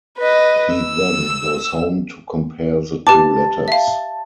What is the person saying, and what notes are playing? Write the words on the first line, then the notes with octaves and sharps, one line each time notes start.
He then goes home to compare the two letters.
B4 D#5
E6
G4 B4 A5 D6
E5 F5